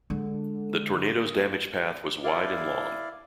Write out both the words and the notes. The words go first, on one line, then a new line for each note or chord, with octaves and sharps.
The tornado's damage path was wide and long.
D3 G#3
E4 D5 F5